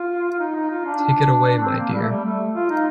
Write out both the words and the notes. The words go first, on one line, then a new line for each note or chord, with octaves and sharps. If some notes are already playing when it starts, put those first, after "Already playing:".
Take it away, my dear.
Already playing: F4
F4
D#4
D#4
F4
D4
C4
A#3
G3
A3
G3
A3
F4
D#4